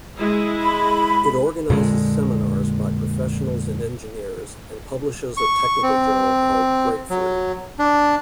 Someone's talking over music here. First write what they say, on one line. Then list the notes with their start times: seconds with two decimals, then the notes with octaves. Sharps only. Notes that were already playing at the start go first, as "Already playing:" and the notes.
It organizes seminars by professionals and engineers and publishes a technical journal called "Breakthrough".
0.18 G#3 E4
0.60 B5
1.70 F2 A#2 D3 G#3
5.37 C#6
5.83 C4
7.10 F#3
7.79 D4